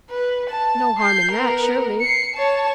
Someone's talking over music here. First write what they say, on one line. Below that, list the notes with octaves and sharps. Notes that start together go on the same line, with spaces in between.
"No harm in that, surely."
B4
A5
G6 C7
B3 A#4
C7 C#7
C#5 A5